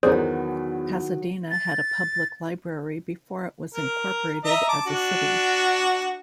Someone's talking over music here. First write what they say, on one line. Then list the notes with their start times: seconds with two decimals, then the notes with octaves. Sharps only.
Pasadena had a public library before it was incorporated as a city.
0.03 E2 D#3 F#3 B3 C4 G#4 C5 D5
1.51 A6
3.75 A#4
4.44 D#5 E5 A#5
4.69 A5 D6
4.86 D4 F#4